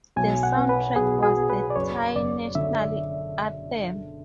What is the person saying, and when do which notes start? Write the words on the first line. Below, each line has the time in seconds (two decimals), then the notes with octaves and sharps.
The soundtrack was the Thai national anthem.
0.16 B1 G#5
0.43 F#5
0.57 B3
0.69 B4
0.96 B1 G#4
1.18 F#4
1.23 G#4
1.37 B3
1.50 B4
1.70 D5
1.76 F#1 C#5
2.15 F#1 D5
2.55 D3 E5